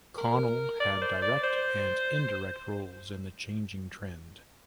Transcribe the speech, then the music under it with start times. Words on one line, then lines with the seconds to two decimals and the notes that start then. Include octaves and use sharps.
Khanal had direct and indirect roles in the changing trend.
0.18 A#4
0.80 D5
1.02 C5
1.22 D5
1.44 C5